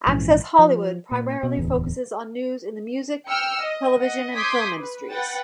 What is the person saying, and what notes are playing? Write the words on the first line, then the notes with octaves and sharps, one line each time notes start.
"Access Hollywood" primarily focuses on news in the music, television, and film industries.
A#1 G#2 E3 C#4
F3
A#2
B2
D1 E2
G5 E6 F6 C#7
D#5
D#5 F#5
C6 D6 D#6 G6 G#6 B6
B4
B4 F#5 G5 A6